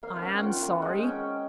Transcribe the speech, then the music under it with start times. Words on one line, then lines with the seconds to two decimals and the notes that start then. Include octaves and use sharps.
I am sorry.
0.03 A#3 F5
0.16 F#5
0.22 C#4
0.29 G5
0.43 F4 F#5
0.62 A#3
0.82 G#3 F#5
0.95 G5
1.02 C#4